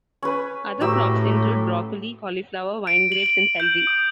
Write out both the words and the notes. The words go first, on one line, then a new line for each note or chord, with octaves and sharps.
Other crops include broccoli, cauliflower, wine grapes, and celery.
C#4 B4
A2 F#3 G4 E6
D7
F#7
F#7
G6
D#6